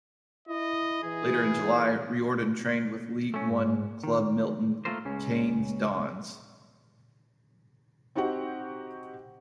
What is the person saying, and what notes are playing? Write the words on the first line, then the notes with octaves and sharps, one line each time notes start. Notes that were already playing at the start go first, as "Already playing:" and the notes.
Later in July, Riordan trained with League One club Milton Keynes Dons.
E4 D#5
E3 G#4
A3 C#4
G#2
D#3
A3 A#3 D4 F4 A#4 C5
C#2 C#3 C#4
C4 D#4 F#4 G4 F#5